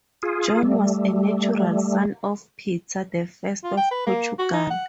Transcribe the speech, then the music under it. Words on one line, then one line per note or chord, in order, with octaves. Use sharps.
John was a natural son of Peter the First of Portugal.
F4 G#4
G3 A3
F4
G5
B4
A#3
F#4
D#4
F#5